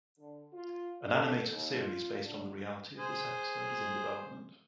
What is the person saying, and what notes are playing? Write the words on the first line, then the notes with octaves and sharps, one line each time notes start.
An animated series based on the reality of this episode is in development.
D3
F4
A4
D#2
F4
D3
G#4 C5